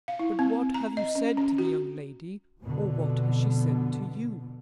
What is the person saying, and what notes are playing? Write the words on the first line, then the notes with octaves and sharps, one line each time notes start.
"But what have you said to the young lady,--or what has she said to you?"
F5
E4
C4
A#5
D#5
C#4
C#4
F#4
F2 B2 D3